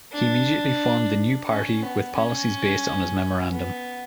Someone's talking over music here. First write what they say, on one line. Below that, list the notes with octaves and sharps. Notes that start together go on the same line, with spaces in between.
He immediately formed the New Party, with policies based on his memorandum.
D4
C#4
B3
C#4
B3